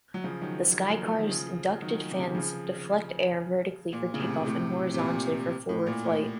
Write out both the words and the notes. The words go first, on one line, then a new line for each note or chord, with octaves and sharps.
The Skycar's ducted fans deflect air vertically for takeoff and horizontally for forward flight.
F#3
C#3 F3
D#3 F#3
F#3 A#3
F3 A3
D#3 F#3
C#3 F3
D#3 F#3
C3
C#3
D#3
C#3 F3
A#2
C#3
A2 C3
A2 C3
C3
A#2
A2
A#2
A2